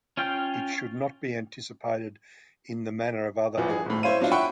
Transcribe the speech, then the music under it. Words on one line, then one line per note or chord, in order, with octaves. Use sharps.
It should not be anticipated in the manner of other Allen films.
C#4 F4 G5
E2 E3 F3
G#4
G#1 A2
E4 C5 C#5 F5 D#7
F#3 D4 E4 F4
E5 F#5 G5 B5 C#6